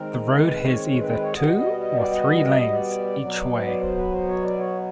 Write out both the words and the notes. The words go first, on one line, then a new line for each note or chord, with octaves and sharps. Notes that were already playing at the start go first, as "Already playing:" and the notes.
The road has either two or three lanes each way.
Already playing: D#3 G#3 C4 A#4
B4
C#5
C#5
B4
B4
C#5
B2 G3 B3 D#5
D#5
D#5
D5
D#5
D5
B2 F#3 B3
D5
C5
B4
C5
C#5
D5
C#5